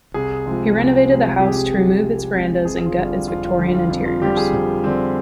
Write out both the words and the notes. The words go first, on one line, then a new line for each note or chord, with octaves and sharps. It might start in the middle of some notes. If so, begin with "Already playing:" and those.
He renovated the house to remove its verandas and gut its Victorian interiors.
C2 G#4
C3 F3 G#3
C2
C3 F3 G#3
C2 G4
G#4
G4
C3 F3 G#3
C2
C3 F3 G#3
F2 G#4
F4
D3 G3
F4
F2 F4
F4
D3 G3 F4
F4
F2 F4
F4
D3 G3 G4
G#4
F2
D3 G3 C4